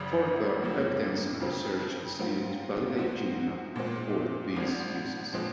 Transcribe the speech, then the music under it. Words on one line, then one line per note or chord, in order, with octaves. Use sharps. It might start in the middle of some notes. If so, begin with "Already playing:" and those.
Further evidence and research is needed to validate gymnema for these uses.
Already playing: G#1 F#2 C#3 F#3
F#1 F#2 F3 A#3
F2 C#3 F3 C4
G#2 F#3 C4 F4
G#2 F3 C4 F#4
A#2 G#3 C4
G#1 G#2 F3
A#2 F3 G#3 C4